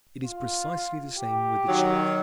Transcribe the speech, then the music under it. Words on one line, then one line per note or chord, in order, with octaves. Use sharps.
It is precisely the same with the Church.
F4
G4
D#3 F#3